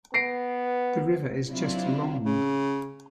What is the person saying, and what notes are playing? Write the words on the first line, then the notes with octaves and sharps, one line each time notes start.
The river is just long.
B3 A#6 C7 D7
F#3 C4 D4 E4 F4
C#3